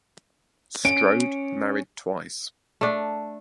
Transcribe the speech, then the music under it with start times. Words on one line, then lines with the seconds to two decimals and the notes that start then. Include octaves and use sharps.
Strode married twice.
0.85 C#4 D7
2.81 A3 D4